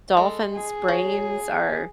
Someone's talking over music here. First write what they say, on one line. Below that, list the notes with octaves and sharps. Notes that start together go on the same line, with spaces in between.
dolphins' brains are
G#3 A4
G#4
F#3